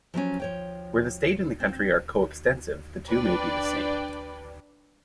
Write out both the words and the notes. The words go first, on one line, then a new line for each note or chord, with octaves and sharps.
Where the state and the country are co-extensive, the two may be the same.
F3 F#3 C4 C#4
F3 C#5 G5
C4
D4 B4 D5 G5